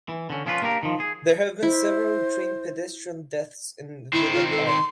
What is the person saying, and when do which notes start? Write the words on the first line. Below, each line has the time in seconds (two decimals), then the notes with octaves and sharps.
There have been several train-pedestrian deaths in Villa Park.
0.09 E3
0.30 D3 C#4
0.46 F3 C#4 E4 F4 B4
0.62 A#3 D4 G4 A#4
0.83 D#3 F3
1.00 G#4
1.63 E4 C5
4.13 D#3 C4 E4
4.33 F4
4.51 A4
4.66 C6